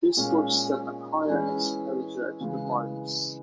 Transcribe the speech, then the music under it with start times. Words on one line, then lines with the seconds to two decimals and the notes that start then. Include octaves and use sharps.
This puts them at higher exposure to the virus.
0.17 A#2 G#3 C#4
1.28 E3 G#3 C#4 E4 G#4
2.41 C#3 E3 G#3